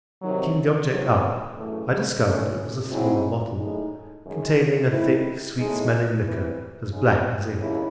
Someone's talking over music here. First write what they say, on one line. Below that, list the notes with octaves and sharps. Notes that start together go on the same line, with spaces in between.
Picking the object up, I discovered it was a small bottle, containing a thick sweet-smelling liquor, as black as ink.
C3 D#3 F#3
E2 C3 D#3 F#3
F#2 C#3 E3 A3 C#4
F#2 D#3 A3 C#4
G#2 F#3 C4 E4
A2 G#3 D#4
F#2 D#3 G#3
D#3 A3 C4 E4
A2 G#3 D#4
E2 C3 E3 C4
C#3 G#3 D#4
D#2 C#3 C#4 E4